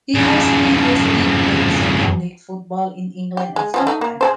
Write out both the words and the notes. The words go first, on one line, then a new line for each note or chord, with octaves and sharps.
He has previously played senior league football in England and Scotland.
F2 C#3
G4
G#3
F3 C4 C#4
A3 D#4
A#3
G#4 A4 C5